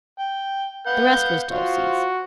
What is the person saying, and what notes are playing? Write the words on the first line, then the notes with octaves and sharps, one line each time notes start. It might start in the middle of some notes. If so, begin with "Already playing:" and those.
The rest was Dulcie's.
G5
B4 F5 F#5 G6
F4 F#4 C5